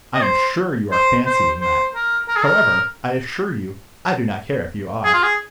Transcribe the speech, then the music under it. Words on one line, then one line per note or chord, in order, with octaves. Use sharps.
I am sure you are fancying that ... However, I assure you I do not care if you are....
D#5
C5
C5
C5
C5
A#4
A#4
G#4
A#4
G#4
F4
G#4